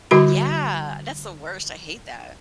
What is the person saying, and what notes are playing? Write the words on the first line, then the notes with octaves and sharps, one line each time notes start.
Yeah. That's the worst, I hate that.
D3 G3 F#4 B5